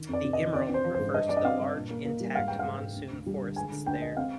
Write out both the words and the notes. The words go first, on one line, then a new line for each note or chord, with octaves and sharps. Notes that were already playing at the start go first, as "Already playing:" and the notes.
The "emerald" refers to the large intact monsoon forests there.
Already playing: D#3
F2 D5
C3
D#5
D#3
C4 D5
C4 C5
F3
C5
G#2
G2 D#5
G2 D5
D#5
C4 F5
G2
A#2
A#3
A#3
G3
G#2 F5
G#3 G5
F5
G#2
G#2
D2
D2
G3
D3
G#3 G#5
D3
D2 G5
G#3 D#5
C4 F5